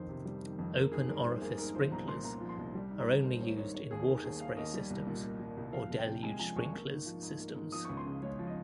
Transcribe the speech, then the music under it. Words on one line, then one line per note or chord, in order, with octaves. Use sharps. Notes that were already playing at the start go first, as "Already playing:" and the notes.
Open orifice sprinklers are only used in water spray systems or deluge sprinklers systems.
Already playing: F2 D#3 C5
C3
G3
D#3
F2
A#3 A#4
G#2 G#4
G3 A#4
G#2 C5
A#3 G#4
G#2 A#4
F3 C5
C2 A#5
A#2 C6
A#3 A#5
F3
C6
C2
G3
G#2
A#5
D#3
A#3 C5
G3 C#5
G#2 C#5
A#3 C#5
D#2 G#4
D#3 A#4
D#2 G#4
A#3 F5
D#2 D#5
G3
C2
A#2
A#3
G3
C2
F3 F5
C2
G5
C3
G#3 G#5
F3 G#5
C2 C#6
A#3
G#2
F3
G#2
A#3
G#2
F3 D#6
C#2 C#6
C6
C#3
G#3 C#5
F3
D#5